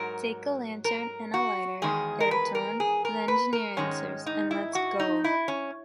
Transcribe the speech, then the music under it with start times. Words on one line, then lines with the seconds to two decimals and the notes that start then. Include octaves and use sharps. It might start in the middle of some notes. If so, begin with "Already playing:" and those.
Take a lantern and a lighter, Aytron, the Engineer answers, and let’s go.
Already playing: G#2 F#3 A#4
0.85 A#4
1.34 F#4
1.82 E2 D#3 G#3 G#4
2.20 A#4
2.31 B4
2.55 A#4
2.80 G#4
3.05 A#4
3.28 B4
3.53 A#4
3.77 G#2 D#3 G#3 C#4
4.26 D#4
4.51 E4
4.75 F#4
5.00 D#4
5.24 E4
5.48 C#4